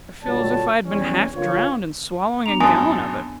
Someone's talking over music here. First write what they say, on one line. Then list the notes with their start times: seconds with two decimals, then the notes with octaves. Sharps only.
I feel as if I had been half drowned, and swallowing a gallon of it.'
0.24 A#2 D3 F#3 G3 C#5 A5
0.86 E2 G3 C#4
1.33 D3 A#3 C4 F4 A#4 C#5
2.46 B3 D4 A#5 F7
2.61 G#1 F#2 G#5 A5 D#6